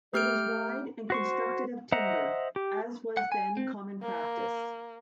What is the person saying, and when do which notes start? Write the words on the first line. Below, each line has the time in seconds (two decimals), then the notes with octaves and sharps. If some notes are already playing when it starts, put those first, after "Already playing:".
It was wide and constructed of timber, as was then common practice.
0.14 A3 G4 F6 G6 D7
1.10 F#4 C5 C#6
1.92 C5 D#5 E5 F#5 A#5
2.56 G4
3.17 F#5
3.32 G#5
3.57 C4
4.02 A#3